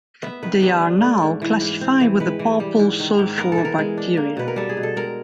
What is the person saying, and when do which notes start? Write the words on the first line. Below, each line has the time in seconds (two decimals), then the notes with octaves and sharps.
They are now classified with the purple sulfur bacteria.
0.23 B3 E5
0.43 D#3 B4
0.62 G3 B4
0.82 D4
1.01 A3
1.22 G#2
1.42 E3
1.61 G#2
1.81 C4
2.01 E3
2.20 G#3 B4
2.39 E3
2.60 G3
2.79 G#2
3.00 D#3
3.19 G#2
3.38 B3 A#4
3.52 A4
3.58 E3
3.65 A#4
3.78 G#3
3.97 D4
4.17 A#3
4.37 B2 B4
4.48 A#4
4.56 G3 A4
4.69 G#4
4.77 B2
4.83 A4
4.96 G#3 A#4